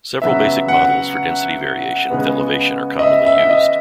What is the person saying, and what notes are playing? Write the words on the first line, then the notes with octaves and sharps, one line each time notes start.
Several basic models for density variation with elevation are commonly used.
C#3 F#3 B3 E5
F#5
C#3 G#3 B3
D#5
E5
E5
D#5